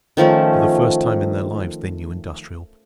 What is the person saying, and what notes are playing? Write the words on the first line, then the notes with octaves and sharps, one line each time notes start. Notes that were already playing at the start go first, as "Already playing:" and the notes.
For the first time in their lives they knew industrial peace.
D#3 F3 A3 C#4